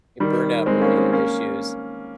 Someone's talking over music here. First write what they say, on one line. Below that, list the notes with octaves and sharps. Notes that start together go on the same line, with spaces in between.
burnout related issue,
D#3 G3
G#3 C4
A#3 C#4
G#3 C4
A#3 C#4